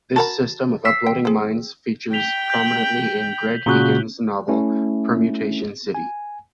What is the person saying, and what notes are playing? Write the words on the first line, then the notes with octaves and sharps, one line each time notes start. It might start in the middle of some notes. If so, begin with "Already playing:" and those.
This system of uploading minds features prominently in Greg Egan's novel "Permutation City".
F#4 A#4 A5 B5
E6 B6 C7
G5
C4 G#4
G5 B6 F7 G7
G6 B6 F#7
A#2 C#3 F#4 F#6 G6 G7
A3 C#4 E4
G#5